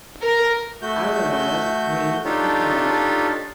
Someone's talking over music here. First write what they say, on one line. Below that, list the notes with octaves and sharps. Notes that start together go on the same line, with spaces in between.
Araras means macaws.
A#4
A3 F#4 G6
D4 D#4 F4 G4 A4 C#5